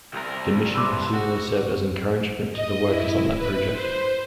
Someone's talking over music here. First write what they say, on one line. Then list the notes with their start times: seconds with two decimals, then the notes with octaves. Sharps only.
The mission presumably served as encouragement to the workers on that project.
0.13 C2 C4 A#4 F5
0.75 D4 B4 C5 D6 E6
1.13 F#4 D#5 F#5 C#6
2.52 D#5
2.85 E4
3.37 B4
3.72 C5